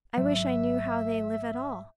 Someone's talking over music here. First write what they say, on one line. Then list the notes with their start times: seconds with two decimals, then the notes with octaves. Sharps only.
I wish I knew how they live at all.
0.17 G#1 F#3 E5